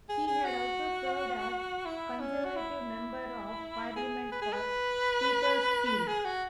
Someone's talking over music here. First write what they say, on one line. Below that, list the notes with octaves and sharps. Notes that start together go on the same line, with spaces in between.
He had also served as Conservative Member of Parliament for Petersfield.
G#4
G#4
F#4
E4
C#4
F#4
E4
G#4
B4
G#4
B4
G#4
F#4